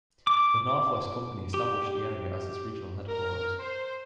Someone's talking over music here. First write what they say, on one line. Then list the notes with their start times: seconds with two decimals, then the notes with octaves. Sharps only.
The North West Company established the area as its regional headquarters.
0.27 D6
1.54 G4
3.09 A#4
3.59 C5